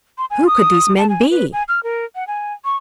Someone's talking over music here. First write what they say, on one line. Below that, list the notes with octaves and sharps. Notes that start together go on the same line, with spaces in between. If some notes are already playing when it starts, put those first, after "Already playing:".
Who could these men be?
C6
G#5
D#6
A5
G#5
B4
G#5
F6
A#4
F#5
G#5
C#6